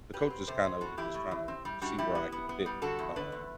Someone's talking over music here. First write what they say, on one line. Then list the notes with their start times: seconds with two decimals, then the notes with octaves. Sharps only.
the coaches kinda was just trying to see where I could fit, um
0.14 F#3 G4 B4
0.30 C4
0.47 C3 A4 C5
0.64 F#3
0.81 A2 F#4 A4
0.97 E3 E4 G4
1.14 A2
1.31 E3
1.48 C4
1.65 G3
1.81 G3 D4 F#4
1.98 G3 E4 G4
2.15 B3
2.32 B3
2.49 B3
2.66 G3
2.82 D3 F#4 A4
2.99 E2
3.16 D3 B4 D5
3.32 E2